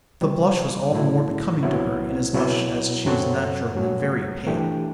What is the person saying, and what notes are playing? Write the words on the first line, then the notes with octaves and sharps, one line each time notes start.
The blush was all the more becoming to her inasmuch as she was naturally very pale.
C3 G3 C4
A2 F#3 A3 E4
C2 C3 F#3 B3 E4
B2 F#3 B3 E4 B4
F#2 F#3 C4 F#4 A4
G2 F#3 A3
E3 A3 D4 G4